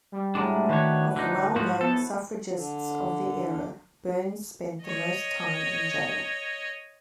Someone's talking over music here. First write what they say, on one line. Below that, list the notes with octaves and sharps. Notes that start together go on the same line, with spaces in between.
Of the well-known suffragists of the era, Burns spent the most time in jail.
G3
A2 F#3 G#3 D4 B5
D#3 D4 F#4 B4 C#5 A5
D3 D#4
G#2 F3 F#4 C5
B3 A4 B4
D3
C#5 D#5